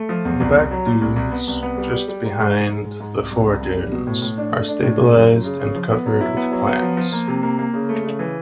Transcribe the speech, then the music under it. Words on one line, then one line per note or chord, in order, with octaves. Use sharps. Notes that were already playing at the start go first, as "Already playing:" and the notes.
The back dunes, just behind the fore dunes, are stabilized and covered with plants.
Already playing: A3
F3
E2
C2
C2
F#3
A#2
C2
C2
B3
C2
B3
G3
G3
G3
G#2
G#2
G#3
G#2
G#3
G#2
C2
C2
C2
C2
G3
B2
A2
A2
D4
A3
D4
A2
C#3
F#2
F#2
C#3
C#3
F3
B3
F#3
E4
B3
F#3
B3
F3
F3
A#3
C3
A#3
A#3
C#3
A3
C#3
E3